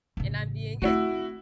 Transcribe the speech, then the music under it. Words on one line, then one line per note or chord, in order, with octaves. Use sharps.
and I'm being
A1 C#3
A3 C4 E4 F#4